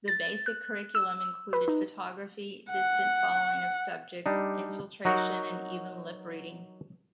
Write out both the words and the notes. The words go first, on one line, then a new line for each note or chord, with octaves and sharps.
The basic curriculum included photography, distant following of subjects, infiltration, and even lip reading.
A6
F#6
E6
B4
D#4
F#5
G3 D4 D#4
F#3 D#4 F#4 A#4